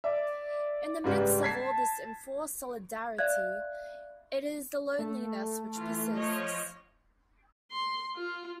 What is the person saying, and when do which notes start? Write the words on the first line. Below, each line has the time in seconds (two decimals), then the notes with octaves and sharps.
In the midst of all this enforced solidarity, it is the loneliness which persists.
0.04 D5 E5
1.04 G#2 C#3 G3 B4
1.43 A5 G#6 B6 C7
3.18 D5 E5 F5 F#6 G#6
4.99 A3
5.74 E3 F4
6.14 F3 C#5 D#5
7.72 C6
8.16 F4